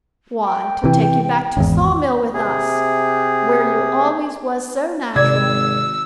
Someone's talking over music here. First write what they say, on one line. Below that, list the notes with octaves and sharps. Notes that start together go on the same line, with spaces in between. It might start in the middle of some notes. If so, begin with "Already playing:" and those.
"Why, to take you back to Saw-mill with us, where you always was so natural."
G5
C3 E3
G#1 E2
C3 G#4
G#1 C3 D5 E6 G#6